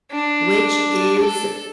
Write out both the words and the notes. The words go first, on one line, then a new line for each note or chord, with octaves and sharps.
which is
D4
A4